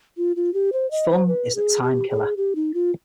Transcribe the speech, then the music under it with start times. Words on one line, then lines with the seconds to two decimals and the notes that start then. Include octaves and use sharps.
Fun is the time-killer.
0.17 F4
0.36 F4
0.54 G4
0.73 C5
0.91 D#5
1.10 C5
1.28 B4
1.55 G#4
1.82 G4
2.09 G#4
2.37 G4
2.56 D#4
2.74 F4